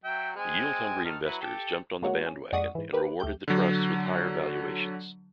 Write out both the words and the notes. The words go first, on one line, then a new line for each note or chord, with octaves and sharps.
Yield-hungry investors jumped on the bandwagon and rewarded the trusts with higher valuations.
F#3 E5 G5
G#3 C4 G#5
D#3 A4 F6
F#3 E4 B4
G4 A4
G#3 A#3 F#4 C#5 F#5
C#4
F2 G#3 D5 F#5 C#6 D#6
G#2 E3
G4 A#4 B4
D2 A3 G4 G6
D3 F#3